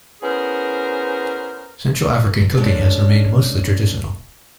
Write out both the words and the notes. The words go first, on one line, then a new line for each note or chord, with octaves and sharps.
Central African cooking has remained mostly traditional.
B3 C#4 E4 G#4 A#4 C5
D#2 A2 D3 G#3 C#4 D4